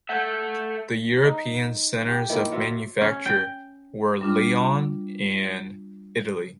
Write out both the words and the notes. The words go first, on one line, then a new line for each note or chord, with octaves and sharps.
The European centres of manufacture were Lyon and Italy.
A4 E5 F#5 G6 G#6
D#4
G4
D#3 F3 A#3 E4
F#3 F4 E5
C#4
G5
G3 D4 F4